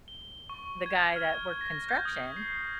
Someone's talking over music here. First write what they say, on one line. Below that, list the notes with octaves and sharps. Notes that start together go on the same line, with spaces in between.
the guy that worked construction,
G7
C#6
G#6
F6
A#6
G6
D#6
C7